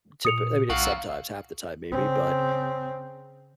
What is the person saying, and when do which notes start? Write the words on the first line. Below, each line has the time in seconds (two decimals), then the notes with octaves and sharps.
typi I mean, it's sometimes, half the time maybe, but,
0.25 A#2 D#6 C#7 F7
0.70 B1 F#2 C4 F4 F#4 F5
1.91 C#3 C4